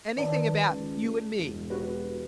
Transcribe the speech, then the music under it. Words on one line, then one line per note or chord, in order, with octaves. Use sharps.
"Anything about you and me?"
D#3 B4 D5 A5
C#2
E1
F#4 G4 B4